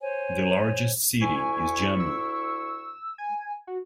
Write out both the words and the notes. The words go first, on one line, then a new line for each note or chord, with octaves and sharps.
The largest city is Jammu.
C5 C#5 G#5
D2 E4 G#5 C#6
E6
G#5
F#4